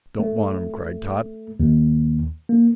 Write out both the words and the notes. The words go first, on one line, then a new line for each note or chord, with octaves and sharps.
"Don't want 'em!" cried Tot.
A3
D#2
A#3